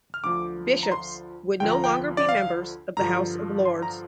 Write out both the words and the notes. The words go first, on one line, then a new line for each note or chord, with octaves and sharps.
Bishops would no longer be members of the House of Lords.
F6
D2 D3 F3 D6
A#5
C6
D2 D3 F3 G5
A#5
G5
D5
F5
G2 D3 F3 A#5
C6
A#5